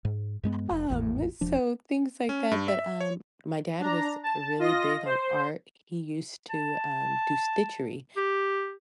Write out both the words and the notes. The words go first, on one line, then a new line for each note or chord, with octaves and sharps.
um, so things, like that but, um, my dad was really big on art, he used to, um, do stitchery,
G#2
G2 G#3 A#3 B3
F1
G#1 E2 A2
E1 F3 D4
C#4
G2
E5
C#5
D4 A#5
A5
F4 D#5 A#6
C5
A5
G4